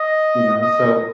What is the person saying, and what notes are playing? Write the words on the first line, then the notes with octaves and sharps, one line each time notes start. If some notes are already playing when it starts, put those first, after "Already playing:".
You know? So
Already playing: D#5
D#5